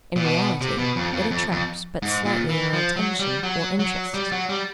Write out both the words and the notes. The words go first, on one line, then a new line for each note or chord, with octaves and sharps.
In reality it attracts but slightly our attention or interest.
A#2
B2
C3
B2
F2
F2
F2
F2
G#2
A#2
E3
F3
F#3
G3
F#3
F#3
G3
F#3
G3